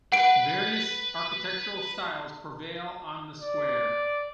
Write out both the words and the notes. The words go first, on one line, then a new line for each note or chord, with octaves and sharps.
Various architectural styles prevail on the square.
B4 F#5 B5 D7
D5